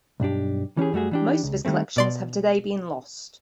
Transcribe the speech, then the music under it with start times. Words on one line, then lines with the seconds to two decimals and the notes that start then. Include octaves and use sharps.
Most of his collections have today been lost.
0.20 B1 G2 D4 G4
0.77 E3 C#4 G4 G#4
0.93 F#2 G3 A3 F#4 G#4
1.11 E3 D4 G4
1.43 C#2
1.65 D#3 G3 A3 C4
1.96 B2 D5 C6